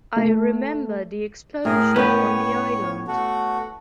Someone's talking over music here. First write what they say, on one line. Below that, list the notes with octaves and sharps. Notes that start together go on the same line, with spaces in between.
I remember the explosion on the island.
A3
A2 G#4 A#4
B3 C#4 B4 C#5 G5
A3 F#4